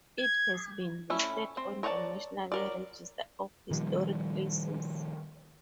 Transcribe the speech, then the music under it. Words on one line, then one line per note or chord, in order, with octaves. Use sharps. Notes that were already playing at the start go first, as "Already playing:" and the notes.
It has been listed on the National Register of Historic Places.
G#6
A3 C#4 E4
C4
A#4 C#5 D5 F#5 A5
F#3 A#4 D5
A#2 D#3 F3 G3